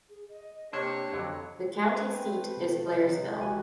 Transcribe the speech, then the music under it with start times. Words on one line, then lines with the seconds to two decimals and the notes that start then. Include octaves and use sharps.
The county seat is Blairsville.
0.09 G#4
0.29 D#5
0.73 C3 A#3 D4 G4 C5 C#5
1.13 F2 D3 F#3
1.88 A3 C4 B4
2.57 B2
2.87 C3 F#3 D#5
3.39 A1 G#3 F#4 G4 G#5